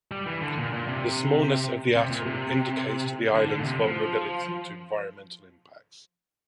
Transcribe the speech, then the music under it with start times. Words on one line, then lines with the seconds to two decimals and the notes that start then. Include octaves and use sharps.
The smallness of the atoll indicates to the islands' vulnerability to environmental impacts.
0.11 G3
0.26 E3
0.42 D3
0.57 A#2
0.72 A#2
0.87 C3
1.96 C3
2.10 A#2
2.26 C3
3.34 D3
3.49 D3
3.59 A#2
3.65 C3
3.80 F3